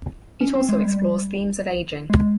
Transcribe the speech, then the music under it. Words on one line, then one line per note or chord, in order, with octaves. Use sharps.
It also explores themes of aging.
C#4
C4
G#3
G#3
G3
G#3